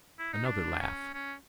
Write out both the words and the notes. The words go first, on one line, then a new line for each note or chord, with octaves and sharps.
Another laugh.
E4
D#4
D4
C#4
C#4